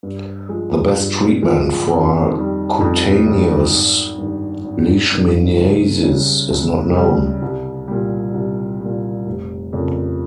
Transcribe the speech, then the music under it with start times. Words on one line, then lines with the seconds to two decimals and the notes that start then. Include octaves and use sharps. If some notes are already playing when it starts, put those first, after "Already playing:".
The best treatment for cutaneous leishmaniasis is not known.
0.03 G2
0.49 F3 G#3
0.95 G2
1.41 F3 G#3
1.88 F2
2.34 D#3 G3
2.81 F2
3.26 D#3 G3
3.73 G#1
4.18 G2 D#3
4.64 G#1
5.12 G2 D#3
5.57 C#2
6.03 C#3 G3
6.50 C#2
6.96 C#3 G3
7.42 C2
7.88 A#2 G3
8.34 C2
8.81 A#2 G3
9.27 F1
9.73 F2 C#3 F3 A#3